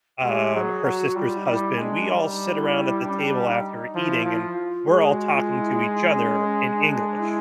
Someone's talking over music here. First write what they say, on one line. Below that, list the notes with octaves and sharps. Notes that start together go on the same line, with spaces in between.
um, her sister's husband, we all sit around at the table after eating, and we're all talking to each other in English,
G#3 G4
F#3 G#4
F#3 F#4
G3 F4
D#4
G3 E4
G#3 D4
G3 D#4
E4
D4
C#4
D4
D#4
F3 E4
F3
F4
G#3 G#4
F#4
F4
E4
D#4
C#4
C#4
D4
E4